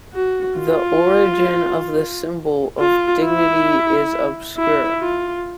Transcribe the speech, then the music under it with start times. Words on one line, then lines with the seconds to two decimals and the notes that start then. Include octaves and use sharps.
The origin of this symbol of dignity is obscure.
0.13 F#4
0.58 F4
2.79 F4
3.24 E4
4.58 E4
5.01 F4